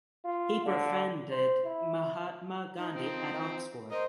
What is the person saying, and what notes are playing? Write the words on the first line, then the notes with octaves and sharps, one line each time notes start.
He befriended Mahatma Gandhi at Oxford.
F4
D3
C5
E4
D#4
F3 C4
A#4 C5 D#5